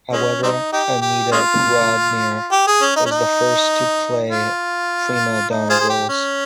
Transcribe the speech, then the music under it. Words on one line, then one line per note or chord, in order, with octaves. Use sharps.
However, Annetta Grodner was the first to play "prima donna" roles.
G#3 C#4
G3 C4 D#4
D#4 G4
G4
G#3 C#4 F4
G4
G#4
C#4
D#4
C#4
D#4
F4
D#4
F4 G#4 C5
G#4
G4
C#4